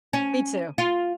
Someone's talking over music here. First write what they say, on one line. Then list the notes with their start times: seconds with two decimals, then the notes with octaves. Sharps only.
Me, too.
0.13 C#4
0.78 F4